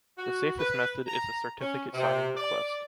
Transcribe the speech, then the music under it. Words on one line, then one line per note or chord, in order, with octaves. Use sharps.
The safest method is a Certificate Signing Request.
F#4
B4
A#5
C#4
C3
D5